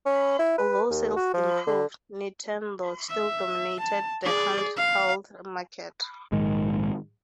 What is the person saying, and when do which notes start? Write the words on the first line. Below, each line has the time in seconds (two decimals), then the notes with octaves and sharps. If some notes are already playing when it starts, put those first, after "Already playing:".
Although sales improved, Nintendo still dominated the handheld market.
0.06 C#4
0.39 E4
0.58 B4
0.90 D#2
1.16 F#4
1.34 F3
1.67 D3
3.10 E5
3.81 A5
4.23 G#4 D5
4.77 F5
6.32 A#1 G#2 D#3 G#3